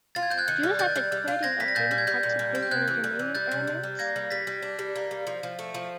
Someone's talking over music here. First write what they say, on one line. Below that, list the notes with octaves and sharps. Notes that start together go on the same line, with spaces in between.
Do you have a credit or debit card to pay for the remaining elements?
F4 A6
G#6
C4 G6
F#6 G#6
D#3
G3
D#3 G6 A6
G3
G3
F4
C4 G#6 A#6
G3 B6
A#6
A#2 G6 A6
G3
G#6
G3 G6
A#2
G3
C4
G6
C3 F#6 G#6
E3
G3
E3
G3 G6 A6
C3
C3
G3
A#3 G#6 A#6
G3
G3 A6 B6
G3
D4
G3
A#3
G3
F3
F3
A3
F3